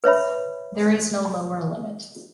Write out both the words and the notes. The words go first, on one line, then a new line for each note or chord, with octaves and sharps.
There is no lower limit.
B4 C#5 E5 B5